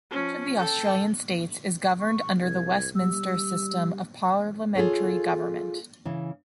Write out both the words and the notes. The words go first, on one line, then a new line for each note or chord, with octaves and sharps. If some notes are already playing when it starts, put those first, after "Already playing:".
Each of the Australian states is governed under the Westminster system of parliamentary government.
F3 C#4
A4 G5
C#6
C2 G#6
G3 E6
F4 G#4 A4 C#5
C#3 E3